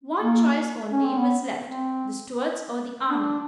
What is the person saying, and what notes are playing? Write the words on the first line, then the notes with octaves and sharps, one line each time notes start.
One choice only was left, the Stuarts or the army.
A#3
C#4
C4
B3
C4
D4